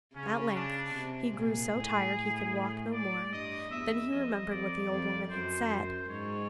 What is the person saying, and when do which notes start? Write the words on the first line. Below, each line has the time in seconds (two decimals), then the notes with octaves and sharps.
At length he grew so tired he could walk no more; then he remembered what the old woman had said.
0.15 C#3 C#4
0.55 D4
0.95 C3
1.34 A#2 G#4
1.74 A2
2.92 D5
3.32 G2 D#5
3.71 E2 E5
4.11 F2 D#5
4.50 F2 D5
4.90 F2
5.30 F#2 C5
5.69 F#2 C5
6.09 G#2 C#5